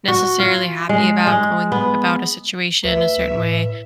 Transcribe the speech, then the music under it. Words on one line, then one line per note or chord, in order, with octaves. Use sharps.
necessarily happy about going about a situation a certain way,
F#4
F4
G#3
G#3
B3
D2 B4 E5
A2